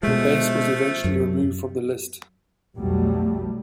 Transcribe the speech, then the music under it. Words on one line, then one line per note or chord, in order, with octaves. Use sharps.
The base was eventually removed from the list.
B2 F3 G#3 A3
F#2
B1 F2 B2 F#3 G3 A3